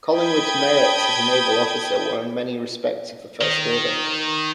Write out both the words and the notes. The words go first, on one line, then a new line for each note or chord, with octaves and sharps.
Collingwood's merits as a naval officer were in many respects of the first order.
G5 A5 B5 D#6 G6 G#6
D#3